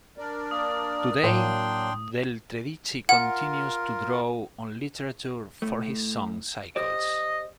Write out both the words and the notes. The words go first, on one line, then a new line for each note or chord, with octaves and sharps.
Today, Del Tredici continues to draw on literature for his song cycles.
D4 A#4 D5
A#3 D#6
A2 F#3 A#3 D4 G5 C6
F4 A#4 F#5
A2 A3
G4 C5 D5 D#5